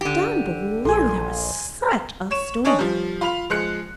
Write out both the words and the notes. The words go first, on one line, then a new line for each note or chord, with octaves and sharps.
Down below there was such a storm!
D3 G4
A#1 A4 G#5 C6
C#5 E7
C#4 D4 C#5 D#5
F3 G3
F4 B5 F7
F3 G#3 F#6 C#7